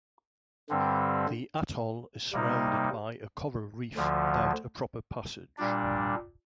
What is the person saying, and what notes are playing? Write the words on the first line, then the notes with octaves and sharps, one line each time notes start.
The atoll is surrounded by a coral reef without a proper passage.
G2 D3 G3 C4
C3 G3 A#3 D#4
D2 D3 F3
A#2 G3 D4